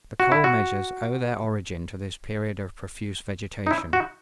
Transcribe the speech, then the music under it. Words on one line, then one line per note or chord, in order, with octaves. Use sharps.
The coal measures owe their origin to this period of profuse vegetation.
F#4
E4
F#4
D#4
E4
F#4